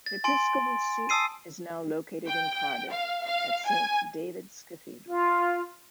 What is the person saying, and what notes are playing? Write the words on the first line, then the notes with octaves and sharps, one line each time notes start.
The Episcopal Seat is now located in Cardiff, at Saint David's Cathedral.
A6
G#5 C6 A6 D7
A5 D#6 E6 C7 D#7
G5
F5
F5
G#5
F4